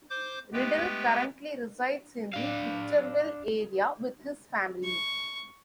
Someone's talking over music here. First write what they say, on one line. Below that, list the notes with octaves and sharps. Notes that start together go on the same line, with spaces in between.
Riddle currently resides in the Victorville area with his family.
C5 D6 G6
G#3 A3 B3 G4 B4 G5
D4 F5
C#6